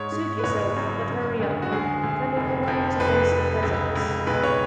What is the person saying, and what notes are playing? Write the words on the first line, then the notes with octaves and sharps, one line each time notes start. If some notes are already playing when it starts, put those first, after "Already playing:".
Suit yourself, but hurry up. - Turning away to face the peasants.
Already playing: G#2 C#5
G#2
B4
F#1 C#5
F#2
C#3
D2
F#4
D2 G#4
D2
F1
F2
F1 B4
F1
C#2
C#2
B1 B4
C#5